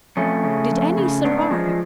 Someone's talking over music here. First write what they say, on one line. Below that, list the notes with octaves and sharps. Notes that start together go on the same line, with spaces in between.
Did any survive?
F2 A3 C#4
C#3
F2
C#3
G#2 B3 D4
F3 G#3